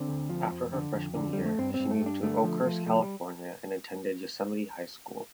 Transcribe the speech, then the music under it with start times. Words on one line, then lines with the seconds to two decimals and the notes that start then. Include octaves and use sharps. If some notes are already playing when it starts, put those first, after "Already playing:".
After her freshman year, she moved to Oakhurst, California and attended Yosemite High School.
Already playing: D3 C4
0.08 D2
0.29 F3
0.51 F2
0.73 D3
0.94 F2
1.15 D3
1.33 F2 G3
1.45 A3
1.58 G2 C4
1.74 C4
1.79 G2
1.91 A3
2.01 G2 D4
2.23 D3 A3
2.43 F3
2.65 F3
2.86 C2 A3
3.03 G3